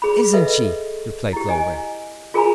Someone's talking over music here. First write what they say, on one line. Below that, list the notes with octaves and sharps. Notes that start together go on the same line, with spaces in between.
"Isn't she!" replied Clover.
G#4 B5
A4 B4 D#5 E5
E4 G4
D#5 G#5
F4 G#4 A#4 G#5 A#5 B5